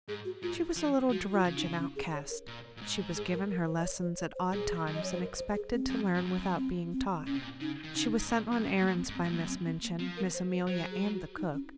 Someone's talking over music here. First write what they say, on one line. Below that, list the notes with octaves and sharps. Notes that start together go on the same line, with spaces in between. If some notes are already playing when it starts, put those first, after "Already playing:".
She was a little drudge and outcast; she was given her lessons at odd times and expected to learn without being taught; she was sent on errands by Miss Minchin, Miss Amelia and the cook.
G#2 G#4
F#4
G#2 F4
F3
F3 F#4
F4
C#3
D#4
C#4
G#4
C#5
A#4
A#2
A#2
G#2
G#4
A#4
A#4
C5
D#5
C#5
C5
C#5
C5
A#2 G#4
F#2
D#5
C#5
C5
A#4
C5
G#4
C4
F#2
G#2
F#2
C4
C4
A#2 C#4
C3
A#2
C#3 D#4
D#3
C#3 D#4
G#2
A#2
F#2
G#2 C#4
G#2
A#3
F#2
C4
G#2
C4
G#2
F#2 A#3
C4
C4
A#3
F3 C4
A#4
C5
C5
F#3 C5
G#4
F#4
D#4
C#4